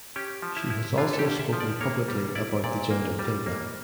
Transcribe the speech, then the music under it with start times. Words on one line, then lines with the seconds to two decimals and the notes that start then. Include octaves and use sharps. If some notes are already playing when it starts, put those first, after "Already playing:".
She has also spoken publicly about the gender pay gap.
0.16 C#4 G4
0.42 F3
0.57 E4
0.70 E4
0.98 D3 F4
1.13 A4
1.19 G4
1.25 C#4
1.39 E5
1.53 F3
1.60 D5
1.81 A#3 C#5
2.08 G3
2.35 E4 D5
2.64 A#2 D5
2.91 A#3
3.19 G3
3.46 A#3